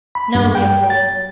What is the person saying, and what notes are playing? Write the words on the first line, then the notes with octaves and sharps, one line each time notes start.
No, Leopold.
B5
G2
G5
A6